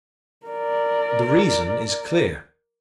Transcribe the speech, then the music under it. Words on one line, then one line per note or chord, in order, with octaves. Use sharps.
The reason is clear.
A#4 D5